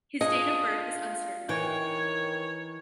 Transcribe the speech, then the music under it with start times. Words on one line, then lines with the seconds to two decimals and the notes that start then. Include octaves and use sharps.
His date of birth is uncertain.
0.21 D4 F4 G#4 D#5
1.49 D#3 E3 C#5 G5